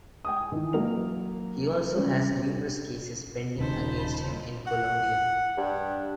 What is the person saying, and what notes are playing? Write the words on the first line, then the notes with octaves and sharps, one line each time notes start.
He also has numerous cases pending against him in Colombia.
G5 G#5 D#6
D#3 E3
F#3 A#3 A#4 F7
G3 C#4
D#1 C#3 D#4 C5 A5 B5
F#5
G2